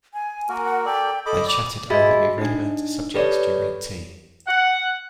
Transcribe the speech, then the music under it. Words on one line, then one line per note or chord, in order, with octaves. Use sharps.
They chattered over irrelevant subjects during tea.
G#5
A#3 F#4 A#4
F#5
A4 D5 G5
A4 D#5 B5 D6
D5 D6
F#4 G#4 D#5 E5 B5
D4 D#4
G4 A4 B4 C#5 D5
F#5